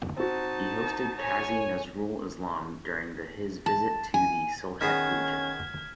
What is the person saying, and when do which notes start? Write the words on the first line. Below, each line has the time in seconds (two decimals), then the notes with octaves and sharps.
He hosted Kazi Nazrul Islam during the his visit to the Sylhet region.
0.17 C4 D#4 F#4 A5
1.21 C#5 G#5
3.66 A5
4.14 G#5
4.81 D#3 B3 C#4 G#4 F6 G#6 B6 E7